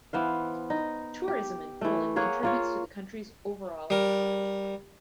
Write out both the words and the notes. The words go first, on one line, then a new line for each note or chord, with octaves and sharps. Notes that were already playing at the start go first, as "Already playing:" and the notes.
Tourism in Poland contributes to the country's overall economy.
E3 B3 C5 F5
D#4
G4
E3 A3
A#3 G#4 C#5 F#5
A#3 F4 C#5
G3 A#4